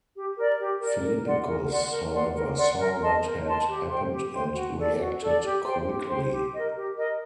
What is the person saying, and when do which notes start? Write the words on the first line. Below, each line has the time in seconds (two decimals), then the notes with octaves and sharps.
Philippicus, however, saw what had happened and reacted quickly.
0.16 G4
0.37 A#4 D5
0.59 G4
0.81 A#4 D5
1.03 A#4
1.25 D5 F#5 C6
1.47 A#4
1.69 D5 F#5 C6
1.91 A#4
2.13 D5 F#5 C6
2.35 A#4
2.57 D5 F#5 C6
2.80 A#4
3.01 D#5 A5 C6
3.23 A#4
3.45 D#5 A5 C6
3.68 G4
3.89 C5 G5 C6
4.11 G4
4.33 C5 G5 C6
4.55 F#4
4.78 A4 D5
4.99 F#4
5.21 A4 D5
5.42 G4
5.65 C5 G5 C6
5.88 G4
6.09 C5 G5 C6
6.31 G4
6.53 A#4 D#5
6.75 G4
6.97 A#4 D#5